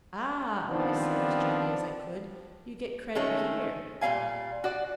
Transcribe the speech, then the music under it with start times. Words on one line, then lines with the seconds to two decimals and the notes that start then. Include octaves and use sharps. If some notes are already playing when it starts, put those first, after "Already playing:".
"Ah," I said, as gently as I could, "you get credit here."
0.69 D#3 F3 G3 B3 C4 D4
3.15 D#3 G#3 A3 C#4
4.01 A#2 G3 A#3 F5 G#5
4.64 F#4 D5